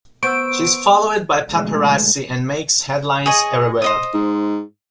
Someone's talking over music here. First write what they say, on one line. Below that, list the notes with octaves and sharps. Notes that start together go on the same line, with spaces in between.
She is followed by paparazzi and makes headlines everywhere.
B3 C5 C#6 E6 D7
B2 D3 E3 F3 G#3 A3
G#4 C#5 D#5
C5 D#5 D#6
G#2